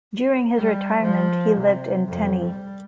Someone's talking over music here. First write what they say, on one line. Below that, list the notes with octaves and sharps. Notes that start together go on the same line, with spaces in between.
During his retirement he lived in Tennie.
G3
F3
C3
F2
G3